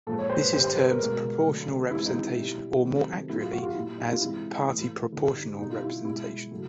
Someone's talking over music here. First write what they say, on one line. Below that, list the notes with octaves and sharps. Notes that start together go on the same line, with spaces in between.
This is termed "proportional representation" or more accurately as "party-proportional representation".
A#2 F3 G#3 A4
C#5
C5
B4
D3 G3 C5
C5
B4
A#4
B2 G#3 A#4
D3 F#3 A3
C3 E3 G#3 E4
D#4
E4
B2 G3
C3 D#3 F#3 A3
A2 F#3 A3 E4
F4
F#4
F4
A#2 G3 E4
D#4
F4
C3 E3 G#3 E4
A2 E3 A3
D3 G3 E4
D#4
B2 G3 D#4
F4
E4
B2 G#3 E4
C#3 F#3 A3